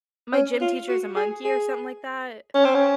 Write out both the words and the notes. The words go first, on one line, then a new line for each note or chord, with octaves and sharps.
My Gym Teacher is a Monkey or something like that?
C#4
F4
F#4
G#4
G#4
C#4
C4
C#4